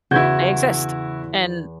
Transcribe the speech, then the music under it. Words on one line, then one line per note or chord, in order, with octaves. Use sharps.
they exist, and
E2 C#3 E4 F#4 G6 G#6